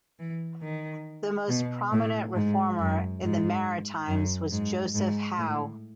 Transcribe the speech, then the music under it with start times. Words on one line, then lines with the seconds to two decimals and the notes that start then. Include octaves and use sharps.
The most prominent Reformer in the Maritimes was Joseph Howe.
0.19 E3
0.63 D#3
1.49 B2
1.92 A2
2.35 G#2
2.79 F#2
3.22 G#2
4.08 F#2
4.51 G#2
4.95 G#2
5.38 A2